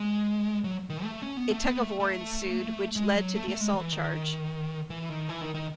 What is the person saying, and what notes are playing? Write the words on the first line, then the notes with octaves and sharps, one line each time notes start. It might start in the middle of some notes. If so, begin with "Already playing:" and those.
A tug of war ensued which led to the assault charge.
Already playing: G#3
F#3
D#3
A3
C#4
B3
A3
B3
A3
A3
G#3
F#3
A3
A3
G#3
E3
D#3
E3
D#3
E3
D#3
D#3